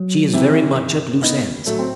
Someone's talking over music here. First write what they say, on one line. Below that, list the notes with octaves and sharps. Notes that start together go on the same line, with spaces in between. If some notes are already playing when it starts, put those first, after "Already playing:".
She is very much at loose ends.
Already playing: F#3
C3 E3 C4
G2
B1 B3 D#4
A2 F#3 A3
C4